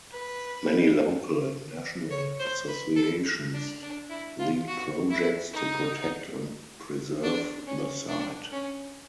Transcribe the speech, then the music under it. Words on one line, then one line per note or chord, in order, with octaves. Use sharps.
Many local and national associations lead projects to protect and preserve the site.
B4
C#5
C5
B4
A4
D4
D4
E4
F4
F#4
E4
D#4
D4
C#4
D4
C#4